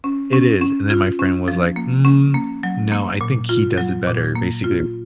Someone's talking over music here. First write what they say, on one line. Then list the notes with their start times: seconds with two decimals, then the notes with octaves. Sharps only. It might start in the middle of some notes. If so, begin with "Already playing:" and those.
It is, and then my friend was, like, "Mm, no, I think he does it better basically,
0.04 C#4
0.33 C#4
0.61 C#4
0.90 F4
1.19 C#4
1.48 F3
1.76 A#3
2.05 C#4
2.34 A#3
2.63 F#3
2.92 A#3
3.21 A#2
3.49 F4
3.78 F#3
4.07 A#2
4.35 A#3
4.64 F4